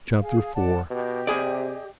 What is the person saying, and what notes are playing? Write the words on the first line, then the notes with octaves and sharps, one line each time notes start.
Chapter IV.
G#4 F5
D5 F#5 A5
B2 G4 D#5
C3 G#4 D5